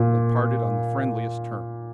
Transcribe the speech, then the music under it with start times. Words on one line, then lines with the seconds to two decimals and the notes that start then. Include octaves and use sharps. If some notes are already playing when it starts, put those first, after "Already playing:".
They parted on the friendliest terms.
Already playing: A#2